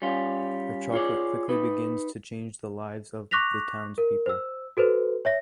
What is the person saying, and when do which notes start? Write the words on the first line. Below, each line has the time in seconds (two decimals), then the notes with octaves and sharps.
Her chocolate quickly begins to change the lives of the townspeople.
0.02 G3 C#4 F4
0.93 F4 G#4 C#5 D5
1.49 D#4 B4
3.31 C#6 D6 F#6 A#6 B6 F7
3.98 A#4
4.26 C5 E6
4.77 F#4 A4 B4 C5
5.25 C#5 E5 A#6